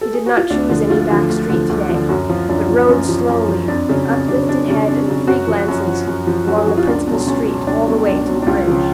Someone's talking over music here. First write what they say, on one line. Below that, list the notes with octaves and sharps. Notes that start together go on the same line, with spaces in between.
He did not choose any back street to-day, but rode slowly, with uplifted head and free glances, along the principal street all the way to the bridge.
A4
G#4
F#4
F4
D2 D4
D3 F3
D2 F4
D3 F3
D2
D3 F3
D2
D3 F3
F#2 F#4
F3 F4
F#2 D4
F3
F#2 C#4
F3
F#2
F3
F2 D4
C#3 F#3
F2 C#4
C#3 F#3 D4
F2 D4
C#3 F#3 D4
F2 D4
C#3 F#3
F#2 F#4
F3
F#2
F3
F#2
F3
F#2 F#4
G#4
F3 F#4
F4
C#2 D4
B2 F#3
C#2 C#4
B2 F#3
C#2 D4
B2 F#3
C#2 D4
B2 F#3
D4
C#2 F4
C#3 F3